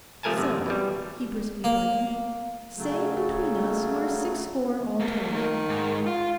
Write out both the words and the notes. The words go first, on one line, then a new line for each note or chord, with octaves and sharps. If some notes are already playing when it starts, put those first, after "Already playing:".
So,' he briskly brightened, 'say, between us we're six score all told.
C3 F3 A3 A#4 G#5 A5
F#2 C3
B2 E3 G3
A#3
C#3 F#3 A3
A3 A#3
D#3
G#2
F4